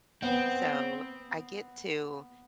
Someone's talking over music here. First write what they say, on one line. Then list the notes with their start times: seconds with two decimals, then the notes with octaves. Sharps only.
So, I get to,
0.22 B3 C4